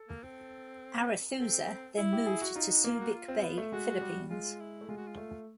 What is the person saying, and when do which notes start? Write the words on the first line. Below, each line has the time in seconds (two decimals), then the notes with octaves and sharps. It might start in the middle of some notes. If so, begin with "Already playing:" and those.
"Arethusa" then moved to Subic Bay, Philippines.
Already playing: A4
0.09 A#3
0.23 C4
1.39 C4 A4
1.97 E4
2.13 G4
2.26 G#4
2.42 F#4
2.56 D#4 F4
2.70 F#4
2.84 A#3 F4
3.00 F#4
3.14 F4
3.28 C4
3.43 B3
3.58 A3
3.72 G#3 F#4
4.01 G3
4.30 G#3 F4
4.60 E4
4.81 A3
4.89 G#3 F4
4.97 F#4
5.07 F4
5.17 A3